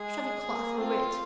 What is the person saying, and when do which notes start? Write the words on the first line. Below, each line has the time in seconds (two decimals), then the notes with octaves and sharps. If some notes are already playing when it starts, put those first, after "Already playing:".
Shove a cloth over it!
Already playing: G#3 G#4
0.48 A#3
0.78 C4 F4